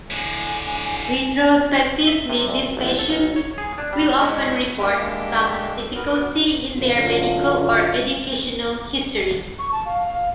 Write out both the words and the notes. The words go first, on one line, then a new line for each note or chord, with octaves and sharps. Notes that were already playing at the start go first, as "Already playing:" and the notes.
Retrospectively, these patients will often report some difficulty in their medical or educational history.
A2 D3 G#5
E5
C3
D2
A1
A4
B1
C#5
G#4
D4
G3
G#3 D4 E4 C#5 D#5 E5
G#3 A#3 D4 G4 E5 G5
B3 F#4 A#4 B4
F#2 D3 F#3 F4
C#6
A5
F5
F5